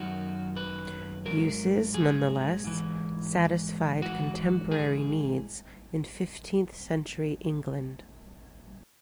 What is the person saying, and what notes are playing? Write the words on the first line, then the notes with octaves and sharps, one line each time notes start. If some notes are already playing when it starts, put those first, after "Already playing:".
Uses, nonetheless, satisfied contemporary needs in fifteenth century England.
Already playing: F#2 D#3 F#3 F#4
B4
G#2 D#3 F#3 A#4
G#4
G#2 E3
G#2 E3 F#4
G#4